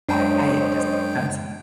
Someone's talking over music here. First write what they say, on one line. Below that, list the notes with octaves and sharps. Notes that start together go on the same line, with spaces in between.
I I had just done some
F#2 G#3 D4 C5 C#5 D#5 G5